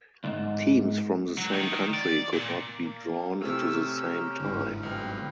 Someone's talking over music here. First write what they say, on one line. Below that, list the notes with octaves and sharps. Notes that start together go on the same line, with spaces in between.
Teams from the same country could not be drawn into the same tie.
C2 G#2
F#3
D#3
D5
A#2
A#3
A2 C3 C#4 G4 A#4 E6
A#5
G1 G#2 D3 E4 B4
B1 C4 B4 F6